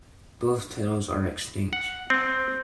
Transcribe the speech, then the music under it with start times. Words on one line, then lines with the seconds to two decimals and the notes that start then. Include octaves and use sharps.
Both titles are extinct.
1.73 F#5
2.10 C4